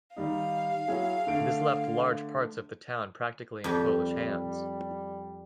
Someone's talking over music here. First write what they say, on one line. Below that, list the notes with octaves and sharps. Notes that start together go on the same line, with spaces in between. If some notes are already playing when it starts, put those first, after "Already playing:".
This left large parts of the town practically in Polish hands.
D#3 G3 D#4 F5
F#3 E4 G#4
D3 A3 D7
F2 G3 G4